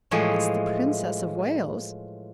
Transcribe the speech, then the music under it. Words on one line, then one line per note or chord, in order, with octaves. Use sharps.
"It's the Princess of Wales."
A2 E3 F3 G#3 C#5